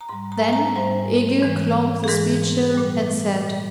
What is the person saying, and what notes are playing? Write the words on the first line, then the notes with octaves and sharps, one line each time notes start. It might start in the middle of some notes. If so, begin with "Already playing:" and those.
Then Egil clomb the Speech-Hill, and said.
A#5
G#2 G3 C6
A#5
G#5
A#5
G#2 G3 C5
G#2 E3 G#3
G#4
G#2 E3 G#3 A#4
A#2 G3
A#2 G3